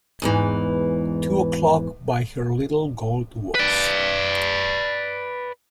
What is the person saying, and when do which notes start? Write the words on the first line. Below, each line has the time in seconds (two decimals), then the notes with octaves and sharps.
Two o'clock by her little gold watch.
0.22 E2 G#2 E3
3.55 B4 D5